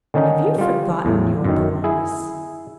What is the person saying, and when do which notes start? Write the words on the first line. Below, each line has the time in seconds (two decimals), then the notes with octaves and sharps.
Have you forgotten your promise?
0.14 D3 D#3 C#4 D#4
0.58 G3 F4
1.05 E2 A2
1.44 F#2 D#3
1.84 E4 G#4